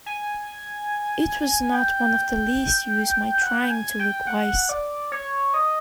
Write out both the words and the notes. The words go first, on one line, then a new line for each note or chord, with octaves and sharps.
It was not of the least use my trying to look wise.
G#5
G5
F#5
G5
G#5
G5
F#5
D5
C#5
D#5